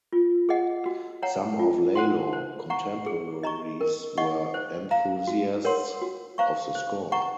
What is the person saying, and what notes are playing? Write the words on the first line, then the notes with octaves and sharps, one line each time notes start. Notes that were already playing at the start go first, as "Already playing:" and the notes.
Some of Lalo contemporaries were enthusiasts of the score.
F4
G#4 D#5 F#5
F#4
C#5 F#5 A#5
F4
C5 F#5 C6
C5
F#5 A#5 C#6
G#4
D#5 A#5 C#6
A#4
D#5 F#5 C#6
C5
F5 A#5
F#4
A#4 C#5 F#5 C6
F#4
C5 F5 A#5 C#6
C5
F#5 A#5 C#6